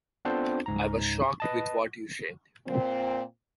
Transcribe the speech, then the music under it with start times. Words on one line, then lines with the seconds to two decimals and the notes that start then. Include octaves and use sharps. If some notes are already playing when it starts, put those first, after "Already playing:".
I was shocked with what you said.
0.25 B3 C4 D4 F4 A4 C5
0.66 C#2 G#2 A#5
1.40 B4 D#5 A5
2.67 A#2 C4